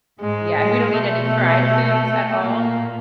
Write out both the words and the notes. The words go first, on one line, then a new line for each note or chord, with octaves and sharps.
Yeah, and we don't eat any fried foods at all,
G#2 G#3
A2 G#3
B2 A3
A#2 A#3